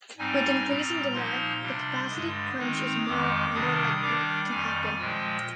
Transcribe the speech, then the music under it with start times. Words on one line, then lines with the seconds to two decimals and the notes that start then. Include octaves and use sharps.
With increasing demand, the capacity crunch is more and more likely to happen.
0.18 G#2 G3 C4 D#4 G#5
0.65 A#2 G3 C4 A#5
1.13 A#2 F3 A#3 D#4 C6
1.62 C3 G3 D4
2.10 G2 D3 G#3 D#6
2.59 D#3 G#3 C4 D#4
3.06 F2 D#3 G#3 D6
3.54 C3 D#3 G3 D4 D#6
4.02 D#3 G3 D4 D6
4.50 F2 D#3 G3 G#5
4.99 A#2 F3 G#3 G5